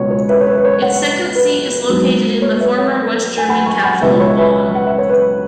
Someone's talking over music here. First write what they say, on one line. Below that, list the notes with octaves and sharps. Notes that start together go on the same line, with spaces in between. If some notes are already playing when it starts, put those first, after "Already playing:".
Its second seat is located in the former West German capital of Bonn.
Already playing: C#2 B2 G#3 B3 C#5
C#5
B4 E5
C#5
B4
B4
C#5
C#5 F#5
B4
G#2 F#3 B3
C#5
B4 E5
C#5 F#5
G#5
F#5 B5
G#5 C#6
F#5 B5
C#2 B2 G#3 B3 B4 E5
C#5
B4 E5
F#5
E5
C#5
B4